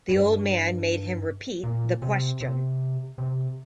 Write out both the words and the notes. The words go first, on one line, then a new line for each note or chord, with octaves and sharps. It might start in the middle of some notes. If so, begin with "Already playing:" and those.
The old man made him repeat the question.
G2
A#2
C3
C3
C3